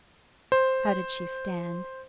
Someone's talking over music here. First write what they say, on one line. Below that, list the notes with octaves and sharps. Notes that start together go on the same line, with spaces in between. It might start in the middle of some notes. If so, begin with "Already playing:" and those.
How did she stand?
C5